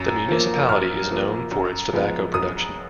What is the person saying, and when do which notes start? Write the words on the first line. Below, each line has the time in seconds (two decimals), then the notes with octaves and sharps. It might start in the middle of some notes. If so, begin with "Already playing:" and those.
The municipality is known for its tobacco production.
Already playing: F#2
0.28 F3 A#3
0.69 F#2 F6
1.11 F3 A#3
1.52 F#2
1.93 F3 G#3 B3
2.34 F#2 D#6